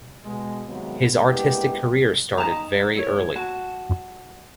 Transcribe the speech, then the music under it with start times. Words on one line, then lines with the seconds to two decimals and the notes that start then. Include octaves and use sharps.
His artistic career started very early.
0.24 B2 G#3
0.66 C3 D#3 F#3 G#3 A#3 B3
1.24 G#3 A#3 B3 D4 E4 G4
2.38 D#4 A5 A#5
2.96 E4 C#5
3.36 F#4 A5